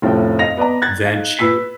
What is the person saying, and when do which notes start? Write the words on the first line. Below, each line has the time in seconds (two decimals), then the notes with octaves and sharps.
then she
0.02 F1 A2 F3 C#4 A4 G5
0.39 D#5 F5 A#6 F7
0.57 B3 B4 D5 D#5 A#5
0.82 F#6 G#6 A6
1.02 D#4 F5
1.39 B4 E6 B6